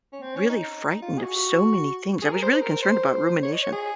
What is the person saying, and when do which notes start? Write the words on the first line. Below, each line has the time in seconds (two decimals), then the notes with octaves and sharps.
really frightened of so many things, I was really concerned about rumination
0.13 C#4
0.22 C4
0.36 C#4
0.49 D#4
1.02 F4
1.18 G#4
1.22 F#4
2.22 G#4
2.32 A#4
2.42 C5
2.53 C5
2.62 A#4
2.82 C5
3.43 C#5
3.52 D#5
3.62 C#5
3.72 G#4